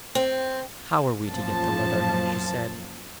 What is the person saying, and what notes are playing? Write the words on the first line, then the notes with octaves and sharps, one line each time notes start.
"How are we to get to Leatherhead?" she said.
C4
F#2 A#2 F3 A#3 A5